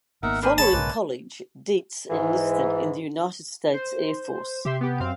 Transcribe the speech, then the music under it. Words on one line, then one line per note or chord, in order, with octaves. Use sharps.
Following college, Deetz enlisted in the United States Air Force.
G#1 A#3 B3 D#4 A#4 E5 F#5
D4 A#4 C5 G#5 B5
G#4 C#5 A5 B5
B1 G#2 C#3 G#3 A#3 B4
G#2 E3
C5
C3 G4 E5 C6
B3 G4
F#2 C4 F5